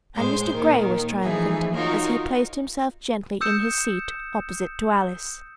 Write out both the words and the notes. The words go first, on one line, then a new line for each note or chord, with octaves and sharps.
And Mr. Grey was triumphant, as he placed himself gently in his seat opposite to Alice.
A2 G#3 C5 G6
D#2 A#2 D#3 A#4
E3 F3 A3 D#4 G#4 E5
D#4 F4 F#4 A#4 C#5
D#6 E6 G6 C#7 E7